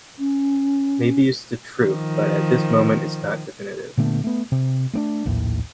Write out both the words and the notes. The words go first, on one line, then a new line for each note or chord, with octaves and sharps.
Maybe it's the truth, but at this moment it's not definitive.
C#4
D#3 F3
A#2 D3 A3 B3
A3 B3
C3
A3 B3 D4
A#1 D#2 A2